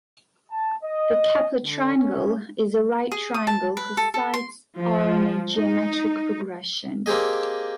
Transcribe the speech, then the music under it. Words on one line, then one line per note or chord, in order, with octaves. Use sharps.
The Kepler triangle is a right triangle whose sides are in a geometric progression.
A5
D#5
D3
C#4
G#4
D#6
A5
B4
A4
A4
C6
F3
D#4
A#3 C4 G4 G#4 D#5